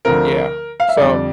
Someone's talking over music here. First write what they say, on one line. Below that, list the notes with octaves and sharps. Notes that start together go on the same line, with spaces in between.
Yeah. So,
D2 D3 F3 A3 C4 A#4
F5
E5
F2 D3 G3 D5